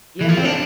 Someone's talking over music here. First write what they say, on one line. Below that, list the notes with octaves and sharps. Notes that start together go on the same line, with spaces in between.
Yeah, yeah.
E3
F3
C4
D4